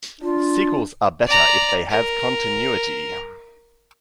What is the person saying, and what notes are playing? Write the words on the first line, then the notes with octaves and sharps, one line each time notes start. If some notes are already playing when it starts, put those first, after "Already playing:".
Sequels are better if they have continuity.
D4 F4
D5 A#5
A#4